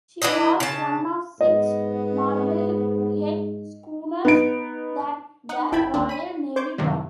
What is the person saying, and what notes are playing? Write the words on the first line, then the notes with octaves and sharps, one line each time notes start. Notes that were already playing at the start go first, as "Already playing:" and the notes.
She was one of six Marblehead schooners that the Royal Navy bought.
E3 D4 E4 D#5
C#3 A5
G#2 B3 D#5
B3 D#4 D7
D#4 F#5
G1 E4 G5 A5 B5 G#6
D#2 A#3 D4
B5 B6 D#7
C5 C#6 D6 G6 G#6
F#2 A2 C3 D#3 G3